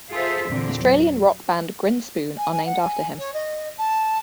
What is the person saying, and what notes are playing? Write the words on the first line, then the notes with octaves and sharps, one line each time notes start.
Australian rock band Grinspoon are named after him.
F4 G#4 A4 C5 E5
E2 A#2 D3 C4
F#3
G#5
G#5
F#5
G#5
C#5
D#5
A5